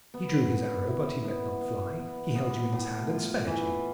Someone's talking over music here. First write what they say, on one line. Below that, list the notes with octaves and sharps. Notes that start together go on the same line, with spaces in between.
He drew his arrow, but he let not fly; he held you in his hand, and spared you!
B3
B3
E4
B3
B3
B3
B3
A2
F4
E3